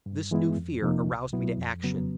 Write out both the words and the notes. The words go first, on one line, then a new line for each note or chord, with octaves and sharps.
This new fear aroused me to action.
G2
E3 G#3 B3 E4
F2
C3 F3 A#3 D#4
C2
B2 F#3 B3 E4
F2
C#3 F#3 B3